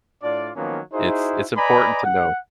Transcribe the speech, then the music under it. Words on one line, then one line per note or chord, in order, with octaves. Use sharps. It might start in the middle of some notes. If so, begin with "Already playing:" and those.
it's, it's important to know.
A2 D4 F4 D5
D#3 F3 F#3 A#3 B3 C#4
D#4 E4 F#4 G#4 C5
B4 D5 D#5 G#5 A#5 B5
F#5